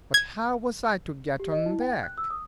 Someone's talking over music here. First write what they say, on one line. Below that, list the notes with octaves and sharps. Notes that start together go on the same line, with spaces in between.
But how was I to get on deck?
G#6
G4
D#5
E4
G5
F#6
E6
D#6